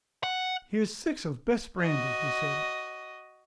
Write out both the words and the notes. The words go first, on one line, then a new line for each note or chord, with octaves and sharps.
"Here's six of best brandy," he said.
F#5
F#4 D#5